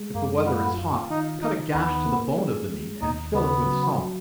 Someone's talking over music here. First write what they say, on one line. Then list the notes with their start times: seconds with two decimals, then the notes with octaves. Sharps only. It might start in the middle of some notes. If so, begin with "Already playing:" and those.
If the weather is hot, cut a gash to the bone of the meat, and fill it with salt.
Already playing: G#3
0.14 F#2 A#3
0.46 B3 F4
0.78 F4
1.10 D#3 D#4
1.42 D#3 D#4
1.74 D#2 B3
2.06 A#3
2.38 G#4
2.70 G#3
3.01 D#2 D#4
3.34 C#3 B3
3.66 F#3
3.98 F#3